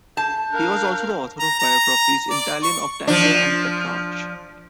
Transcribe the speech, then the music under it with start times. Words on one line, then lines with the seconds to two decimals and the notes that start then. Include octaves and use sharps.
He was also the author of biographies in Italian of Dante and Petrarch.
0.17 A5 G6
0.52 D4 A#4 F5
1.39 A#5
1.59 A#5
2.30 D5
2.63 C#6
3.08 F3 D4